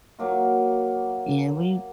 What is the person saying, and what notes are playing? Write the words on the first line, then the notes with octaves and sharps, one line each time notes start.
and we
F#3 A#3 F#4